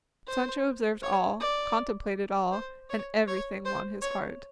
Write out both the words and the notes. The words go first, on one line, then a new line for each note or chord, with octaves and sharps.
Sancho observed all, contemplated all, and everything won his heart.
C5
C#5
D5
C5
C#5
C#5
C5
C#5